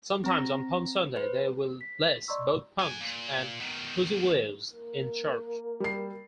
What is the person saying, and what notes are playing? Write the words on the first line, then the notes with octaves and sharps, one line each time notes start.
Sometimes, on Palm Sunday they will bless both palms and pussywillows in church.
C4 A#5 A#6
B4 C5
B6
D5 D#5 A#5 C6 C#6 E6
F#5 G#5
A#2
B2 D#3
A#3
G3 C7